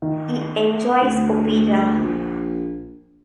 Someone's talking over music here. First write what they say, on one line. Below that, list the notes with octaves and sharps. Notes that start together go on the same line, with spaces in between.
He enjoys opera.
D#3
D2
A#1